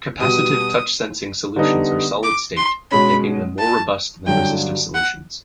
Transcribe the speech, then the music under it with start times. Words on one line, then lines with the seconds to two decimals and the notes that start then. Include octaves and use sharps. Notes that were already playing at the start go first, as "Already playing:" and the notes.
Capacitive touch sensing solutions are solid state, making them more robust than resistive solutions.
0.21 B2 G3 B3 D#6
1.56 D3 G3 B3 D#4
2.23 D6
2.57 C6
2.91 B2 G#3 C#4 B5
3.58 A5
4.27 G2 D3 F#3 G5
4.94 F#5